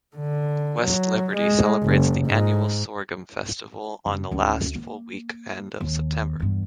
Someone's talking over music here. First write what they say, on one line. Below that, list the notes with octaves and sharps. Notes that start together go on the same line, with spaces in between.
West Liberty celebrates the annual Sorghum Festival on the last full weekend of September.
D3
F#3
G#3
F#1
G#2
F#1
D2 C#4
A#3
D#2
E2 G2